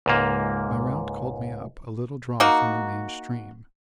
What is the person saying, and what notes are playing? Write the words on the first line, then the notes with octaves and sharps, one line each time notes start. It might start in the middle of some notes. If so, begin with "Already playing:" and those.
My route called me up a little draw from the main stream.
C#2 G#2 A#3
A#3 D#4 F#4